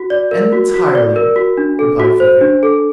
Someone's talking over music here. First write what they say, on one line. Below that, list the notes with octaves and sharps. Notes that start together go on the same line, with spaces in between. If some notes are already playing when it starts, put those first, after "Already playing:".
"Entirely," replied Fouquet.
Already playing: F#4
D5
A#4
F#4
F#4
D5
A#4
F#4
D4
A4
F#4
C5
D4
A4